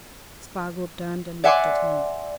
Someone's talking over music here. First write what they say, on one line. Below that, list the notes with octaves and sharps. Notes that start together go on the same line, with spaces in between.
Spargo turned and looked at him.
D5 E5 F#5 G#5 C6 D6